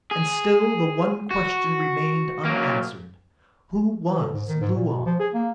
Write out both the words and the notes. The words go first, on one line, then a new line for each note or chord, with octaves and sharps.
And still the one question remained unanswered: Who was Luar?
G#4
F#4
F#3 A#3
E3
D3
G#2
D#3
G#2
A#2
B2
F3
G#4
A#3